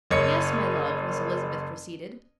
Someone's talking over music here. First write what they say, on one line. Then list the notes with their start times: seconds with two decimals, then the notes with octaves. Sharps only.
"Yes, my love!" Miss Elizabeth proceeded.
0.10 F#1 C#5 D#5 C#7